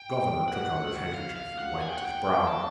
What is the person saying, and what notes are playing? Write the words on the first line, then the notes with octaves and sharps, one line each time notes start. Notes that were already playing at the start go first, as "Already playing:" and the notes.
The governor took out his handkerchief and wiped his brow.
Already playing: G5
F#5
F5
F5
F#5
G#5
G5
F#5
G5
A5